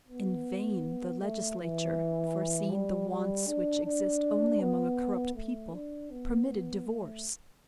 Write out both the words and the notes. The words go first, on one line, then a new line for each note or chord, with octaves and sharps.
In vain the legislature, foreseeing the wants which exist only among a corrupt people, permitted divorce.
B3
A3
E3
G3
G3
D4
D4
B3
A3
D4
B3
A3